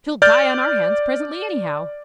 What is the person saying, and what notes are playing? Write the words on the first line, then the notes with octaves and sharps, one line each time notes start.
"She'll die on our hands presently, anyhow."
D5 F6 G6 A6